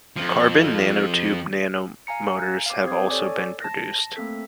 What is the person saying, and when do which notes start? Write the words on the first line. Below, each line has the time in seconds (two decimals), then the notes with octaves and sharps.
Carbon nanotube nanomotors have also been produced.
0.17 F2 F3
2.07 F5 G#5 A#5 C#7
2.66 F5 D6
2.84 C4 G4 C5 D#6 G#6
3.08 A4 C#5 D5 G#5 C#6 D6
3.62 A5 A#6
4.16 A3 A#3 C4 A4 B6